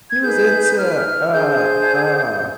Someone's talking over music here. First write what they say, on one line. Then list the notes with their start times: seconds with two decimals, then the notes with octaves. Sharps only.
she was into, uh uh
0.10 G#6
0.23 D#4 G#4 B4 G6
0.78 F6
1.33 D4 G#4 C5 G6